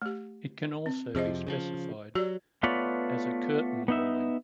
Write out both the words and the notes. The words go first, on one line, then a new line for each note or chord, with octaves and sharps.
It can also be specified as a curtain walling.
A3 G4
C4
F2 C3 F3 G#4 C5 D#5
C#3 E3 F3
F#3 F#4 G4 D5
A3 B3 F4 B4 C#5 D5
B3 D#4 E5